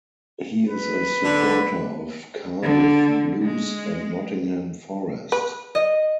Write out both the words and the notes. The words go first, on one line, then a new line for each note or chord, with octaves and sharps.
He is a supporter of Cardiff Blues and Nottingham Forest.
B4
D3
D3
G#3
B4
D#5